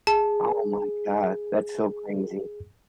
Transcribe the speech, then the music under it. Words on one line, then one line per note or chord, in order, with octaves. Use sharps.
Oh my god. That's so crazy.
G#4 A5